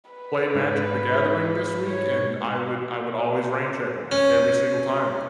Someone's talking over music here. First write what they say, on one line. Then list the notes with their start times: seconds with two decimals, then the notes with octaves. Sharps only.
play Magic The Gathering this week?" And I would I would always rain check 'em, every single time,
0.10 B4
0.54 G#2
1.86 C#5
4.12 C#4